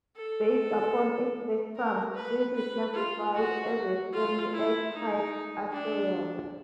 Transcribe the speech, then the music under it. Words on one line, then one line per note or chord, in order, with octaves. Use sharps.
Based upon its spectrum, this is classified as a stony S-type asteroid.
A4
A#4
B4
B4
F4
F#4
F4
E4
D#4
D4